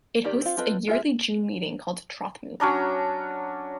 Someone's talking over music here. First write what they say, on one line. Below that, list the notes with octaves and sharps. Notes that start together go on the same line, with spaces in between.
It hosts a yearly June meeting called Trothmoot.
D#3 G4 D5
C4 F4
C4 F4 A4 B4 D#5
G#3 F4 G#4 E5
F#3 C#4 D4 A#5